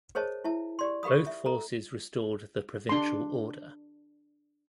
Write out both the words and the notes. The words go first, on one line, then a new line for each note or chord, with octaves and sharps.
Both forces restored the provincial order.
G#4 A#4 C5 C#5 D#5 A5
E4 E5 A5
G4 D5 C6
G4 A#4 F5 B5 D#6
E5
A4 A#5
D4 C6